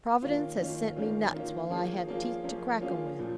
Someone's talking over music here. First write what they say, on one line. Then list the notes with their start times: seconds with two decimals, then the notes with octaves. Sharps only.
Providence has sent me nuts while I have teeth to crack 'em with.
0.22 D#3 A#3 C#4 F4
0.60 D#3 A#3 C#4 F4
0.96 D#3 A#3 C#4 F4
1.33 D#3 A#3 C#4 F4
1.70 F3 A#3 C#4 F4 G#4
2.07 F3 A#3 C#4 F4 G#4
2.44 F3 A#3 C#4 F4 G#4
2.81 F3 A#3 C#4 F4 G#4
3.19 A#2 F3